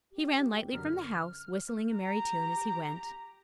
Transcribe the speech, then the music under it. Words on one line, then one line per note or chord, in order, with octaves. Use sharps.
He ran lightly from the house, whistling a merry tune as he went.
G4
F#2 D3 A#4 F6
G4 A#5